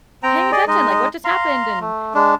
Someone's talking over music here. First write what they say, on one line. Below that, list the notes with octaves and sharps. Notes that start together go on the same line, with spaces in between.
paying attention? Like, what just happened?" And,
C4 G5 A#5
G#4 D5 D#5
G#3 D#4 D#5
F5 A#5 C6
A3
G#3 D4